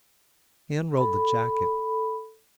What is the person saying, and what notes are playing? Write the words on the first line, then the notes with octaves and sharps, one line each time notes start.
He unrolled the jacket.
A4 B5